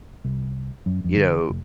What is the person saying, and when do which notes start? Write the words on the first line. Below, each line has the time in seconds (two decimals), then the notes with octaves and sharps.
you know,
0.25 C2
0.86 F#2
1.04 F2
1.17 D3
1.50 F1